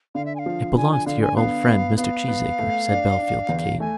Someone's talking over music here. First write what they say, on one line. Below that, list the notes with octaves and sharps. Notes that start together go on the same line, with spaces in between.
"It belongs to your old friend, Mr. Cheesacre," said Bellfield to Kate.
D3 F5
E5
G#5
F5
F3
D3 G#5
G#5
D3 F5
G#5
B3 F5
B3
B3 F5
B3
A3
D4
D4
E2
A3 G#5